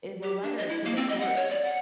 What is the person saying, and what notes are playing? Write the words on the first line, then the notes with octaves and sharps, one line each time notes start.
is a letter to the courts.
G4
D4
D#5
E4
A#3
C4
D#5
F#5
C#5
D5
F#5